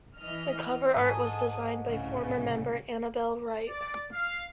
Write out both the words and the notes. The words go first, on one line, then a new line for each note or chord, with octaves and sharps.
The cover art was designed by former member Annabel Wright.
E3 D#5 F6
G#2 A4 G#5 D#6
C2 A2 C#3
D5
F5